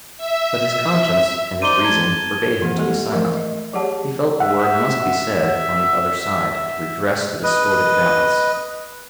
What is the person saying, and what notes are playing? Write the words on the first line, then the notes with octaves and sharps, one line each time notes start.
But his conscience and his reason forbade him to be silent; he felt a word must be said on the other side to redress the distorted balance.
E5
D#4 C5 D5 D#7 G7
A5 G#6
E3 A#3
G3 G#3 A#3 G4 A4
E3 F3 A3 A#4 E5
D#5
F#3 G4 G#4 C#5 F#5 A5
E5 F#5
B4 D#5